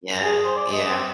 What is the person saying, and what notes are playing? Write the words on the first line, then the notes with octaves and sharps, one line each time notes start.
Yeah, yeah.
G#4
C5
D5
D#5
C4